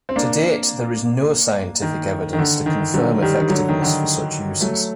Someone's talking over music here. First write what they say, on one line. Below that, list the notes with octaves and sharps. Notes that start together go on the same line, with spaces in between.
To date there is no scientific evidence to confirm effectiveness for such uses.
C4
A#3 D4
D#3
D#3
D3
D#3
D3 F#3
D#3 G3
D#3
D3 F#3
D#3
D3
D#3
F#3 A3